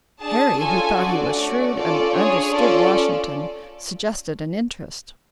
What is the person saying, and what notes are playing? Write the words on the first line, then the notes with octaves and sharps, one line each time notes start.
Harry, who thought he was shrewd and understood Washington, suggested an interest.
D4 G#4 A5
C#4 F4 A4 G#5
D4 F#4 A4 D5
A3 C#4 F#4
C#4 F4 A4 D5
D4 G#4 C#5
C#4 F4 A4 D5